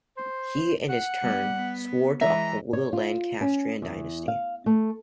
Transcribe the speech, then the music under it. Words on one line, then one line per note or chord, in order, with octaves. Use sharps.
He in his turn "swore to uphold the Lancastrian dynasty".
C5
F#5
G3 B3
B3
E3 G#3 E5 A#5
C#5
F4
C#4
E2
F5
A3